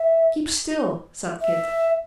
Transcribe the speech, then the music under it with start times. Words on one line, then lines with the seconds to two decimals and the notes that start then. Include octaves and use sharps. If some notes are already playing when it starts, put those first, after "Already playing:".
"Keep still!" said Kit.
Already playing: E5
1.41 E5